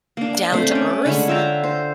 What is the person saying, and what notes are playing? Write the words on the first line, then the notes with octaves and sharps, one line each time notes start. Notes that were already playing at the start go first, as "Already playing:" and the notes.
down to earth.
A#3 D4
A3 C4 C5
C#4 D5
D3 G#3 C#5 B5
F4 E5 G5 A#5
C5